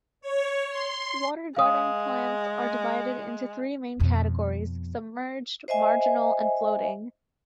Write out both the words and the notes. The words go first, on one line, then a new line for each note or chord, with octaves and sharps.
Water garden plants are divided into three main categories: submerged, marginal, and floating.
C#5
C6
G#3 F5 D#6
F2 B2
C5 D#5 E5 G#5